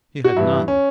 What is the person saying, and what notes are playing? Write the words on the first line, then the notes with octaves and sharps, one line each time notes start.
He had none.
F#4
G2 E3 E4
C#4